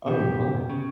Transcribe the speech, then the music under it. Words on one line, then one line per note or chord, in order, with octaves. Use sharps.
Oh, my.
B2 G4
C#3